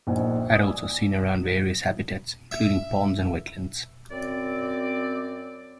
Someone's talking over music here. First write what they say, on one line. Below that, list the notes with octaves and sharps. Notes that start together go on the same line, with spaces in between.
Adults are seen around various habitats including ponds and wetlands.
A#1 D#4 C5 F#5 G#5
D5 G#5 D#6 E6
E5
F#2 C4 D5